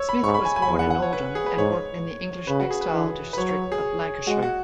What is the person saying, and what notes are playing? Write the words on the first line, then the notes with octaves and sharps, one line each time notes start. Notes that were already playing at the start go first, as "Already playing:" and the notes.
Smith was born in Oldham and worked in the English textile district of Lancashire.
Already playing: C#5 E6
B5
G#2 C#6
B5
G#5
G#5
B5
E2 G#5
F#5
F#5
C#5
B4
G#4
B4
G#2 C#5
C#3 B4
F#4
G#4
B4
E3
B4
F#3 C#5
C#5
G#4
G#3 F#4
F#4